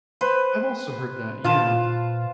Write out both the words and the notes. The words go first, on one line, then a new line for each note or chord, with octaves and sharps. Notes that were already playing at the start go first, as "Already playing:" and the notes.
I've also heard that, yeah.
B4 C5
A#2 F4 F5 A5